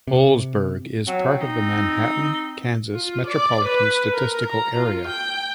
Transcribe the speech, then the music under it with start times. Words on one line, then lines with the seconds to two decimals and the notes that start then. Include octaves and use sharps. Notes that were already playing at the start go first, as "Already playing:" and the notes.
Olsburg is part of the Manhattan, Kansas Metropolitan Statistical Area.
0.07 C3
1.07 F#3 C4
1.41 D#4
2.94 F4
3.27 D5
3.64 B4
4.13 A#4
4.49 A#5
4.79 F4
5.08 G5